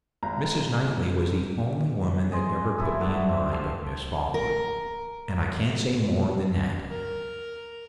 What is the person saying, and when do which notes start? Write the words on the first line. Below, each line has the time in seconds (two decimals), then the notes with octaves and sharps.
Mrs. Knightley was the only woman that ever put me in mind of Miss Falkland, and I can't say more than that.
0.23 G#1 A#5
2.32 G#4 D#5 C6
2.78 E4 A4 D#6
3.00 B3 D4 F#4
3.29 C4
3.49 G4 F5 A5
4.34 A#4
6.89 A#4